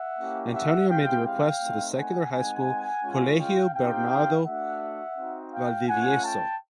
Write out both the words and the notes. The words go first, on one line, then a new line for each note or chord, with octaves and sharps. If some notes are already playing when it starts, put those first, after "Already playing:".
Antonio made the request to the secular high school Colegio Bernardo Valdivieso.
Already playing: E5 F#5
A#3 C#4 E4 G4
E5 F#5
G#3 C4 E4 G4 F5 G5
F5 G5
A3 C4 D#4
F#5 G#5
G#3 C4 D#4 F#5 G#5
G#3 C#4 F4
F5 G5
C4 D#4 G4 F5 G5
A3 D4 F#4 E5 F#5
C4 D#4 F#4
F5 G5
A3 C#4 F4 F#5 G#5
G5 A5